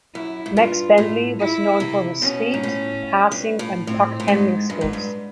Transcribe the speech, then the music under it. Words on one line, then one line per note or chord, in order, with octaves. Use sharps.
Max Bentley was known for his speed, passing and puck handling skills.
F#2 E4
G#2
G2 F4
A2
E4
C3
B2 C#4
G#2
A2
G2
A2
A2 C4
A2
G#2 G#3
G2 G#3
G#2
G2